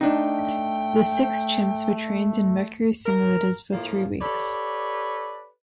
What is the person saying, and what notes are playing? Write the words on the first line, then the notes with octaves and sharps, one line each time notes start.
The six chimps were trained in Mercury simulators for three weeks.
A3 D4 D#4 G5
A#4
A2 F3 A#3 F4
G4 A4 B4 C#5 D5